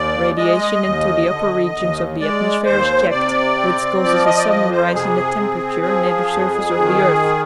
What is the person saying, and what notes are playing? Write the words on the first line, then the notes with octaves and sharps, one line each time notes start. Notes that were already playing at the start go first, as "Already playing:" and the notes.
Radiation into the upper regions of the atmosphere is checked, which causes a sudden rise in the temperature near the surface of the earth.
Already playing: D#2 D5
G#3 D#5
D#2
D3
D#2
G#3 D5
D#2 C5
C3 D5
C4
F3 D5
D#5
D5
F2 D#5
C5
C3 G#4
C4
F3
F2
D#3